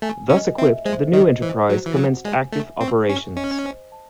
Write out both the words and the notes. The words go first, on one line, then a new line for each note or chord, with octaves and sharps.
Thus equipped the new enterprise commenced active operations.
A3 G#5
C#4 D#5
C4 E5
G#3 C5
D#3 D#5
E3 C5
F#3 F#4
E3
F#3 F#5
G#3 G#5
A3 E5
C4 C#6
C#4 G#5
C#4 D#5
C5
A5